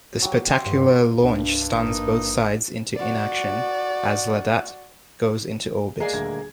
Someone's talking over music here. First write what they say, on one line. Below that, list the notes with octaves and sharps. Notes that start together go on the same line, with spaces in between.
The spectacular launch stuns both sides into inaction as Lhadatt goes into orbit.
F#3 G3
C6
G2
C2 G2 D4
G#1 A#3 D#4
F#4 D5
G#3 A#3 G#4 D5 G#5 A#5 C7
D#1 D2 D3 G#6